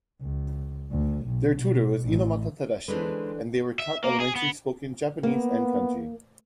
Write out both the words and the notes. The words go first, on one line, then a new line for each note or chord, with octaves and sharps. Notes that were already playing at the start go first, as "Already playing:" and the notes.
Their tutor was Inomata Tadashi, and they were taught elementary spoken Japanese and kanji.
C#2
D2
B1
B2
A1
D3 E3 G#3 C#4 B4 C5
E5
A#3
G#4
B3
A#3 B3